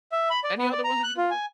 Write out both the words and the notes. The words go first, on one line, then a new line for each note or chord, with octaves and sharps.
any other ones that you can think of?
E5
B5
D5
B3
D5
A#5
F#6
F4
G#5